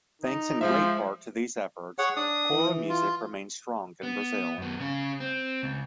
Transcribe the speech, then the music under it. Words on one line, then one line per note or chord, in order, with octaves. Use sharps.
Thanks in great part to these efforts, choro music remains strong in Brazil.
D#4
F3 G#3 C5 E5
G#4 C#5 F#5
D4 D#6
E3
F4
B3
F#2 B3
C#3 C#4
C4
C#2